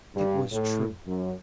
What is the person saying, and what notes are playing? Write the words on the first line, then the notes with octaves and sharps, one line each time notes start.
It was true.
G2
A2
F#2